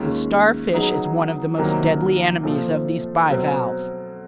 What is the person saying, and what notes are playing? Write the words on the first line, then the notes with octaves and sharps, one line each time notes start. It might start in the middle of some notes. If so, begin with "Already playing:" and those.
The starfish is one of the most deadly enemies of these bivalves.
Already playing: D#2 D#3 G#3 C#4 F4
F#3 B3 D#4 G#4
C2 C3 D#3 F#3 A#3
A#2 F3 A3 C4 F4
B2 F#3 A3 C4